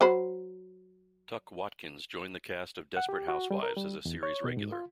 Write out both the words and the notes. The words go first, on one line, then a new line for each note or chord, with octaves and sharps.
Tuc Watkins joined the cast of "Desperate Housewives" as a series regular.
F#3 C5 B5
F#5
G4
F#4
G3
A#4
G3
E2
C#5
B2
G#2
F4